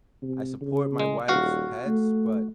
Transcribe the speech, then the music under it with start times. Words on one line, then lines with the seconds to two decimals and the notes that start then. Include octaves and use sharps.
I support my wife's pets, but
0.23 C3
0.61 C#3
1.00 G#3
1.28 D#1 F#4 F5 F#5
1.87 A3